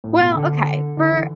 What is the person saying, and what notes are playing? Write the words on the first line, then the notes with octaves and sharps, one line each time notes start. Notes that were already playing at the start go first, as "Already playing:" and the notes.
well, okay. For
A2
B2
D3
D3
E3